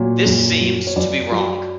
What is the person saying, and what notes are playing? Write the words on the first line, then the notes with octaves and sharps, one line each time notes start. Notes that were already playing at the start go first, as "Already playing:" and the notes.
This seems to be wrong.
Already playing: A#2 F#3 C#5
F#2
F#3
C#5
F#2 D5
F#3